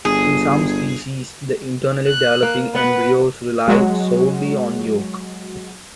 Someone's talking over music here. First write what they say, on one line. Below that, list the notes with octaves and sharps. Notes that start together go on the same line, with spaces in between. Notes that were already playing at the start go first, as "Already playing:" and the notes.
In some species, the internally developing embryos rely solely on yolk.
G1 G#4
F#6
A#3
B3 B4 F#5
F#3 G#3 F#4